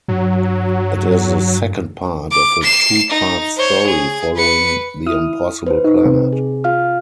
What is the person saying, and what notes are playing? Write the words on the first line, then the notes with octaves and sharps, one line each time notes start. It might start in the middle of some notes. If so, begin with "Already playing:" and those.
It is the second part of a two-part story, following "The Impossible Planet".
G2 F#3
D6
C7 E7
D#4
C5 C#5
G#4
B4 C#7
E4 D#6 F6
B4 C5
D#4
C3 C4
G#4
F4 F5 F6